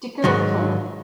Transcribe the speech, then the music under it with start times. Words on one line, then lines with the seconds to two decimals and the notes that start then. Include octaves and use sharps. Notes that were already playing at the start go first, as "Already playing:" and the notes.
Dicker of Plymouth.
0.24 G#2 D#3 F#3